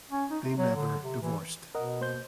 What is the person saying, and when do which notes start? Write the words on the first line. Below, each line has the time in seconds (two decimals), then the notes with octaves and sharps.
They never divorced.
0.11 C#4
0.31 D#4
0.44 C3
0.57 F#3
0.76 D3
1.02 C3
1.22 E3
1.75 B2 A#4 D#5 F#5
2.01 A#3 C5 G6